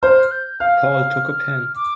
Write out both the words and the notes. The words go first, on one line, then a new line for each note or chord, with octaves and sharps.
Paul took a pen.
C5 F6
G6
F5 F6
D6